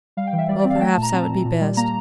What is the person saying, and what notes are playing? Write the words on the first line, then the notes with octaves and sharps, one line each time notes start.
Well, perhaps that would be best.
G3 F5
G5
E3
E5
G3 D5
D5
C4
F5
A5
A3 G5
A5
A#2
A#5
C4 A5
A#2
A#2
G3
A#3 A#5